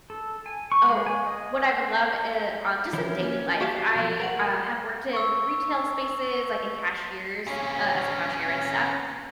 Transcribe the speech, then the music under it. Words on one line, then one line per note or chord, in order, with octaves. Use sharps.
Oh, what I would love in um, just in daily life, I, uh, have worked in retail spaces, like in cashiers uh, as a cashier and stuff,
A4
G#5
C#6
G#3
G#5
D#5
E3 F3 C#4 E4
A#3 C#4
F#4 G4 E5 F5 A5
B2 F3 F#3
A#4 F5 F#5
C#6 E6
A#2 C#4